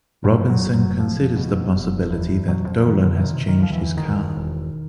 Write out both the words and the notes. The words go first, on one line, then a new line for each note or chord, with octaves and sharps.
Robinson considers the possibility that Dolan had changed his car.
G2 B2 G3
F3
F#2 F#3
F1
F#2 F#3
F1 F2 F3
B2
F1
E2
F#2 B2 F#3
F2 F3
B2 D#3
D3
E3
C3 D#3
D#3
D2 F3
E2 E3
E1 D#3
E1